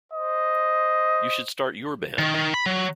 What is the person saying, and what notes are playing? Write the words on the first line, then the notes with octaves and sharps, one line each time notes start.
You should start your band.
C5 D#5
D#3
D#3
B5
F#3